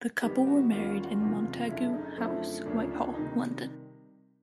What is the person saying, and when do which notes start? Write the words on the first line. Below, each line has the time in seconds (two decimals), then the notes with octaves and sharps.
The couple were married in Montagu House, Whitehall, London.
0.22 G#2 D#3 G3 B3 G4
0.47 F#4
0.71 D#2 D#3 G3 A#3 C#4 F4
0.88 F4
1.04 F#4
1.20 F#1 E2 C3 D#3 F4
1.44 F4
1.68 F#1 F#2 D3 E4
1.94 D#4
2.17 F#2 D3 F3 A3 C4 E4
2.65 D2 C#3 F3 A#3 C#4 D4
2.91 D4
3.14 C3 D#3 G3 D#4